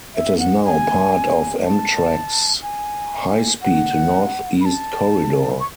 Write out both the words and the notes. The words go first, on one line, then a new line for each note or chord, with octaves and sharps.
It is now part of Amtrak's high-speed Northeast Corridor.
E5
F#5
G#5
A5
G#5
F#5
B5
A5
C#6